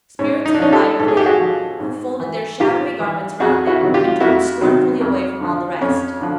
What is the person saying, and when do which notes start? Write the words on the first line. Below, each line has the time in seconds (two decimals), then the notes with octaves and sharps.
Spirits of Pride were there, who folded their shadowy garments round them, and turned scornfully away from all the rest.
0.19 G#2 C#4
0.46 D#4
0.55 D4
0.59 F3 C#4 D#4
0.72 G4 A4
0.99 G#2 A4
1.08 G#4
1.17 G4
1.26 F#4 G#4
1.40 F3
1.80 G#2
2.20 E3
2.60 G#2 F4 G4
3.00 E3
3.40 F2 F#4 G#4
3.67 E4 F#4
3.81 C3 D#3 F#3
3.94 F4 G4
4.20 F2 E4 F#4
4.61 C3 D#3 F#3
5.01 F2
5.41 D3 F3
5.81 F2 C#4
6.21 D3 F3